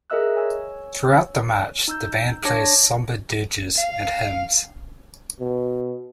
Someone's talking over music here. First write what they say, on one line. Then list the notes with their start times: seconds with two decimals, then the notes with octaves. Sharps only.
Throughout the march, the band plays somber dirges and hymns.
0.10 G#4 A#4 D#5 E5 E6 F#6
0.35 C#5 G#5 E6
1.88 D#4 E6 G6
2.45 D4 C#5 A5 D6 G#6 A#6
3.78 F5
5.40 B2